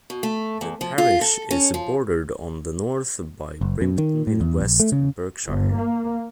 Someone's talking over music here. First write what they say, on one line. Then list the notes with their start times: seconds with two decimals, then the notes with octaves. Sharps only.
The parish is bordered on the north by Brimpton in West Berkshire.
0.10 B2
0.23 A3
0.61 E2
0.81 F3
0.98 F4
1.21 A4
1.51 C#4
1.74 F3
3.61 F#1
3.81 F#2
3.98 D#3
4.27 A2
4.41 E2
4.61 A#1
4.80 A3
4.92 C#3
5.46 G1
5.76 A#3